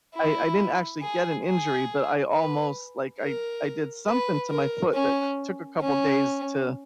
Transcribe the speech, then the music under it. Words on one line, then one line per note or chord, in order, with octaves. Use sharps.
I I didn't actually get an injury, but I almost Like, I I did something to my foot that c took a couple days to,
E4
G#4
G#4
B4
A#4
B4
A#4
C#4
C#4